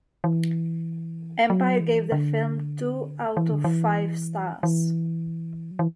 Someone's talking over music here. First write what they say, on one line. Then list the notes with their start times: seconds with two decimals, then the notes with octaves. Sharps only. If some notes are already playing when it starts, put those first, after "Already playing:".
"Empire" gave the film two out of five stars.
0.24 E3
1.50 F#3
1.80 E3
2.12 D3
3.37 E3
3.52 D3
3.64 E3
4.63 E3
5.71 F#3
5.79 E3